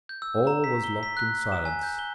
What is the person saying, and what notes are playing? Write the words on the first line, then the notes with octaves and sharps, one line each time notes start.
All was locked in silence.
G6
E6
A#5
B6
G7
B6
F#6
E7
G#5
G6
G7